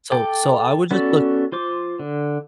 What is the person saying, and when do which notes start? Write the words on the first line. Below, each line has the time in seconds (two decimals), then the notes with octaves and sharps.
So so I would just look
0.12 A4 G5 D6
0.91 B3 C#4 F#4 A4 D5
1.52 F4 C5 D6
1.99 D3